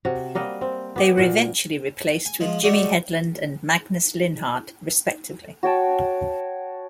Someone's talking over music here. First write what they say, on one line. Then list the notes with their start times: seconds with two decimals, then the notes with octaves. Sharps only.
They were eventually replaced with Jimmy Hedlund and Magnus Linhardt, respectively.
0.05 C3 F#4
0.35 G3 A#3 D#5 F#5
0.61 C4
0.96 B3 G4
1.17 A#2 F#4
2.26 G#5
2.40 F3 G#3
2.63 G#3 A3 D4 F#4 G4
5.63 F#4 C#5 G5 A5